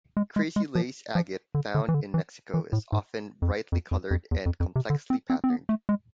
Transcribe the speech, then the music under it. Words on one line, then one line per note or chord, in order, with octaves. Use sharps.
"Crazy lace agate", found in Mexico, is often brightly colored and complexly patterned.
G#3
G#3
G#3
F3
F3
D3
D3
E3
D3
E3
E3
A2
G#2
F2
F2
F2
F2
E2
F2
F2
C3
D3
C4
C4
C4
B3
A3
G#3